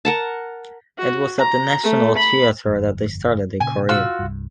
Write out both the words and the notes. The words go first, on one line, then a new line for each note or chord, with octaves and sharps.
It was at the National Theater that they started their career.
A#4 F#5 A5
F#4
A#5
A3
B5
G1 F2
A#2 C#3 G#5
F4 F#4 E6
C2 G2